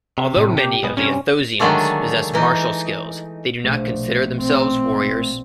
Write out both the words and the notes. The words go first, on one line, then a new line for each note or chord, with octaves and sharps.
Although many of the Athosians possess martial skills, they do not consider themselves warriors.
C3
A2
G4
B1 G#3 B3
G2 C3 C#4
D3 D#3 F#3 G#3 A3 D4
E3 D#4
A#1 B2 A3
C4